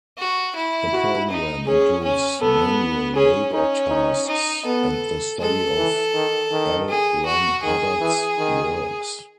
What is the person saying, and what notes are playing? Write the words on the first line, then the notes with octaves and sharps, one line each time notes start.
The program includes manual labor tasks and the study of L. Ron Hubbard's works.
F#4
E4
F#4
D#4
C#4 G#4
C#4
B3 A4
C#4 G#4
C#4 D#4
D#4
D#4
B3 A4
G#3 A4
E3
D#3
D#3
G#4
F#4
D#3 G#4
E3
D#3